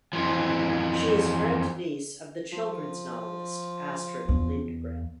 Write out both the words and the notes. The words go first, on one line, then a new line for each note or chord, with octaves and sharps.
She is grandniece of the children's novelist Astrid Lindgren.
F2 E3 F3
F3
E2